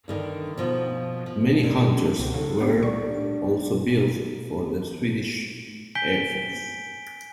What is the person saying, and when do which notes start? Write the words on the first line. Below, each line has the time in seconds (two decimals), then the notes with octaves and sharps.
Many Hunters were also built for the Swedish Air Force.
0.08 G2 D3 D#3
0.58 B2 F3 F4
1.26 F3
1.63 A#2
2.19 C#2 B3 C4 F#4
2.34 C#3 G#3 D#4 A4
2.60 B3 D4 G4
2.83 G3 D5 C#6
3.08 D4
5.95 G#5 G6 B6 D7 G7